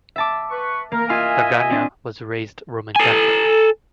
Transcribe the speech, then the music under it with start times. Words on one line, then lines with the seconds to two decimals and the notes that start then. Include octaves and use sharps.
Draganja was raised Roman Catholic.
0.16 E5 A5 D6
0.50 B4 C#6
0.92 A#3 A#4
1.09 F4 D#5 E5 G#5 C6 F6
1.70 C4 D4
2.96 A4 G#5